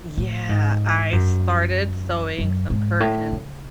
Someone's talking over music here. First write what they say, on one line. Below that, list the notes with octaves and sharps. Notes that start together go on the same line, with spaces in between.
Yeah, I started sewing some curtains,
A2
G#2
F#2
F#2
G#2
A2
C#3